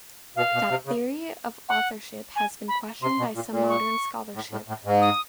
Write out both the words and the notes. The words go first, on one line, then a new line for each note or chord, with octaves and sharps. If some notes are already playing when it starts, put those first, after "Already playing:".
That theory of authorship has been questioned by some modern scholarship.
B2 F5
B2
C3
C#3
F#5
G#5
B5
C3 C6
B2
A#2
A#2
C#6
A2
A2
A2
G#2
D#6